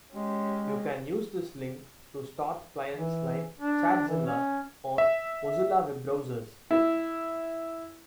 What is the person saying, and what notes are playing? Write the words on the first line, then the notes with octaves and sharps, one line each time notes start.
You can use this link to start clients like ChatZilla on Mozilla web browsers.
G#3 C#4 G4
E3
D4
E3
C#4
E5
E4